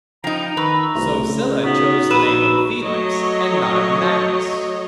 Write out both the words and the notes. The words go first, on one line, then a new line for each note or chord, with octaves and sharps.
So Sylla chose the name of Felix, and not of Magnus.
F3 D#4 G5 A#5
D#3 B4 B5 C#6 E6
C2 A3 F4
C#3
B3 D#4 F#4
A#1 B4 E6
F#3 A3 C#5 D#5